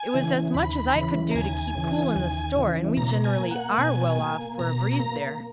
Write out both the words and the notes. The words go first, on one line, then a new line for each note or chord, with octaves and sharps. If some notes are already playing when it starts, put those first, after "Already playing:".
"It was as much as I could do to keep cool in the store, and we generally ARE well off for a breeze there."
Already playing: G#5
C#3 E3
D#2 B5
C#3 E3
A#5
D#2 G#5
C#3 E3
D#2
C#3 E3
B2 A#5
G#5
A#3
F#5
B2 G#5
A#3
B2 A#5
A#3